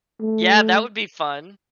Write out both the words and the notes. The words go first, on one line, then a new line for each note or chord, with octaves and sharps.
Yeah, that would be fun.
A3